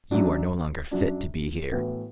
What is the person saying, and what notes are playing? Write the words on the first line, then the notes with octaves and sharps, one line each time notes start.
You are no longer fit to be here.
F#2 F#3 D4
F#2 F#3 D4
A2 E3 B3 F#4 B4